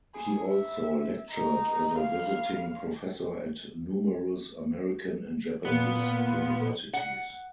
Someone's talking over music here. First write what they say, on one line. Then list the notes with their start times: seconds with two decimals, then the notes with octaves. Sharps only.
He also lectured as a visiting professor at numerous American and Japanese universities.
0.15 G#4
0.45 E5
1.31 D#4
1.98 F5
5.65 A#2 B3 F4
6.93 F#5